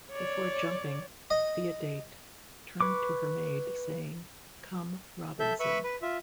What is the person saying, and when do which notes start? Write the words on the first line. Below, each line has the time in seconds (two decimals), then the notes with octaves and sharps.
Before jumping, Theodate turned to her maid saying, Come, Robinson.
0.10 C#5 D5
1.30 D#5
2.81 B4 C#6 D6
5.40 A4 E5 G6
5.60 B4 E5 B5 C#6
5.84 B4
6.02 F4 E5